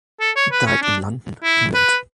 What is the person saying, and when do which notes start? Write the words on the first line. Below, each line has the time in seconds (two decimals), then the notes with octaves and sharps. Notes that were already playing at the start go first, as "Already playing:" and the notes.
He died in London, England.
0.20 A4
0.36 C#5
0.52 B4
0.67 C#4
0.82 D4
1.44 E4
1.75 B4